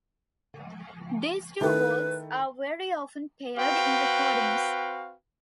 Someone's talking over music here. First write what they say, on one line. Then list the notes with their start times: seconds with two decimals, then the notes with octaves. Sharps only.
These two works are very often paired in recordings.
1.61 D#3 A3 E4 B4
3.57 C4 F#4 B4 F5 G5